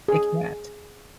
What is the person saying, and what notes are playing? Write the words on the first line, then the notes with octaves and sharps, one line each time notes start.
It can't.
G#4